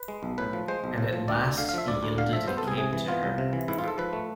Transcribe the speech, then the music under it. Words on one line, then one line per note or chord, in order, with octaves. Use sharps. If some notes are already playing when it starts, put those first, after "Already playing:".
And at last he yielded and came to her.
Already playing: B4
G#3
B1
A2 B4
F3
G#3 C5
B1
A2
F3
D2 D5
D2
D3 F5
F5
F3 E5
D2 D5
D2
D3 F5
F3 E5
B3 C5
A4
C2 G#4
C3 G#4
E3
B3 F4
C2
C3
E3
G#2 E4
F4
G#2 A4
F3 B4
A3